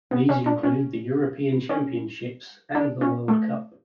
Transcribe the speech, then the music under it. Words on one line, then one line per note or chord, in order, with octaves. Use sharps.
These include the European Championships and the World Cup.
B3
C#4
D4
C#4
C#4
D4
C#4
A3